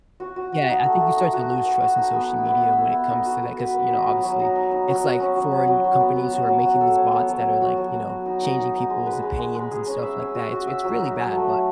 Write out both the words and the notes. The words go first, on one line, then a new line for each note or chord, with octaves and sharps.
Yeah, I think you start to lose trust in social media when it comes to that 'cause, you know, obviously, it's like foreign companies who are making these bots that are, like, you know, changing people's opinions and stuff like that, it's it's really bad, but,
F#4
F#4
F#4
D#4
A3
A3
D#4
F#4
F#4
B4
F#4
D#4
B3
E4
B3
B3
E4
B3
D#4
F#4
F#4
B4
B4
D#4
F#3
F#3
D#4
D#4
D#4
F#3
F#4
C#4
F#3
C#4
F#3
F#3
B3
B3
F#4
F#3
F#3
A4
C#5
B3
F#3
C#5
F#4
F#3
F#4
F#4
D#4
D#4
D#4
D#4
G#3
B4
G#3
G#3
G#3
G#4
C#4
E5
C#4
F#4
F#4
E5
F#3
D#4
F#3
A3
A3